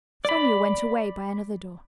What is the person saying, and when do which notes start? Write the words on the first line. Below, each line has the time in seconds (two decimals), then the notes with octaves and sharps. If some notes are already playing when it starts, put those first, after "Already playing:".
Sonya went away by another door.
0.25 D5 B5